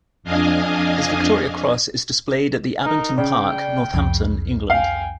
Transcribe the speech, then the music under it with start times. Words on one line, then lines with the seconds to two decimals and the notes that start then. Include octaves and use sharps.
His Victoria Cross is displayed at the Abington Park, Northampton, England.
0.23 F2 D4 D#5 F5 G#5
2.84 D#4 A#4
3.18 C#3 D5 G5
3.94 C2 F2
4.70 F5 G5 G#5